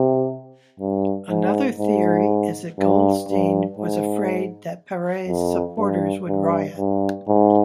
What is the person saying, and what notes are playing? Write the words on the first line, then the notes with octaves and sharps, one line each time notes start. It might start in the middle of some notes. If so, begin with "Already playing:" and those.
Another theory is that Goldstein was afraid that Paret's supporters would riot.
Already playing: C3
G2
G#2
G#2
G2
G2
G#2
F2
G2
G2
G2
G#2